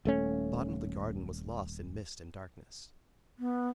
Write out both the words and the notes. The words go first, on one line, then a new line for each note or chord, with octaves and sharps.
The bottom of the garden was lost in mist and darkness.
D#1 A3 C#4
B3